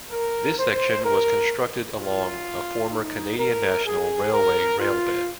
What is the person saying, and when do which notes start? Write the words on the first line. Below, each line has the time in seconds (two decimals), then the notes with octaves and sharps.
This section was constructed along a former Canadian National Railway railbed.
0.11 A#4
0.57 C5
1.04 A#4
1.98 F4
2.92 D#4
3.38 A#4
3.85 G#4
4.33 A#4
4.80 F4